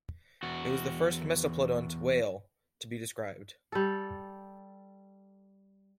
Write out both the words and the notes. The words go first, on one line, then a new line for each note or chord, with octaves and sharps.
It was the first mesoplodont whale to be described.
E2 F#4
G3 A4